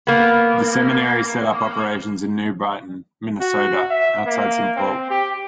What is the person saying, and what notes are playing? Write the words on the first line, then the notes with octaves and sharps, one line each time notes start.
The seminary set up operations in New Brighton, Minnesota, outside Saint Paul.
A#3 B3
F#4
E5
A#3
C4
G4